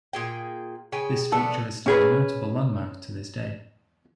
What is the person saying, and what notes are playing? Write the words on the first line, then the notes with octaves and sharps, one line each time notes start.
This structure is still a notable landmark to this day.
A#2 G#4 G5
C#3 G#4 G5 G#5
A3 B3 D4 A4
C#4 G#4 B4